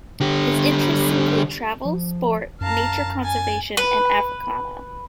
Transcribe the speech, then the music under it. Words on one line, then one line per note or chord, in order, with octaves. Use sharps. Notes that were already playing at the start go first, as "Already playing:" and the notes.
His interests include travel, sport, nature conservation and Africana.
D3 G4
F3
F#2 F5 A5 A#5
G#5 A6
B4